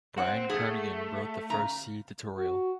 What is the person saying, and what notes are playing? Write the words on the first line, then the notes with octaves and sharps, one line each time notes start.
Brian Kernighan wrote the first C tutorial.
C4 F#5
A3 G#4
C#3 A#5
F#4